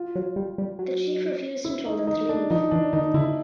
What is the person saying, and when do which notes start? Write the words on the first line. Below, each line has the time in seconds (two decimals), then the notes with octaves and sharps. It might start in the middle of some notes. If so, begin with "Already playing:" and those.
The chief refused and told them to leave.
Already playing: F4
0.16 F#3
0.36 G3
0.58 G3
0.79 F#3
1.65 E4
1.86 D#4
2.07 D#4
2.29 D4
2.50 F3 D#4
2.71 E3 D4
2.93 D#3 D#4
3.14 D3 E4